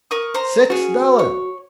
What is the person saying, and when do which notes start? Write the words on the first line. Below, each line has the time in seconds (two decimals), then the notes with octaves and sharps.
"Six dollars."
0.11 A#4 C#6 D#6
0.34 C5 A#5
0.70 C#4 F#4 G#4
1.19 C#5